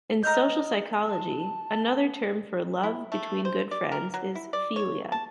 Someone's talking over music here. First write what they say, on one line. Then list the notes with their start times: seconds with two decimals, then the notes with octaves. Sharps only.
In social psychology, another term for love between good friends is "philia".
0.23 D#5 A#5 F6 G6
1.05 A5
2.83 E4
3.12 A3
3.45 C5
3.71 D5
3.92 A#4
4.14 F#3
4.35 E4
4.53 D5
4.76 C#5
5.12 A5